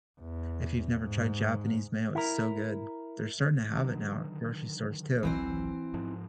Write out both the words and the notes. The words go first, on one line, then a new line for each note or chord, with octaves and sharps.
if you've never tried Japanese mayo, it's so good. They're starting to have it now at grocery stores too.
E2
G#2
E4 A#4
D3 D#3 F#3
G#1 C#2 E3 F#3 C4 C5
G#2 F3